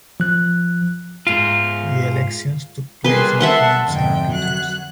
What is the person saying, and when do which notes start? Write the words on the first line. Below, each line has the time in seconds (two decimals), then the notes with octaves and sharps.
The elections took place in Point Saint Peters.
0.20 F3 F#6
1.27 G#2 F4
3.04 G3 A#3 G#4 B4 C6
3.40 E5 F#5 A5 C6
3.88 F2 G#2 D3 F3 G5
4.31 F#3 F#6